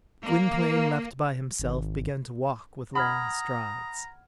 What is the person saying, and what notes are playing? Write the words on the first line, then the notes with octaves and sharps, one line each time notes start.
Gwynplaine, left by himself, began to walk with long strides.
A#3
G#1
F#5 A#5 B5 D#6 F6 G#6